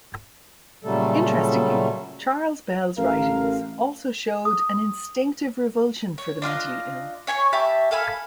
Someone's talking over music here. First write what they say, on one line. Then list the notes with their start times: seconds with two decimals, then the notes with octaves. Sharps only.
Interestingly, Charles Bell's writings also showed an instinctive revulsion for the mentally ill.
0.84 A#2 C#3 F#3 G3 A3 A4
2.97 A1 A#4 F5
4.45 D#6
6.18 C#5
6.42 D4 F4 A#4 D#5
7.27 C#5 G#5 B5 C#6
7.53 G4 E5 A5 B5
7.91 A4 F5 G#5 B5